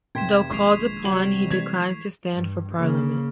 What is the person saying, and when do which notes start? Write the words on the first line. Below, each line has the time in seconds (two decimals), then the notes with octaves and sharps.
Though called upon, he declined to stand for Parliament.
0.15 F1 G5 C6 G#6 B6 E7
0.50 D#1 A#1 B2 G#3 C#6 C7 F7
1.04 C3 F#3 G3 F#7
1.51 E3 G#3 A3 G#6 B6
2.33 G2
2.76 C#3 A#3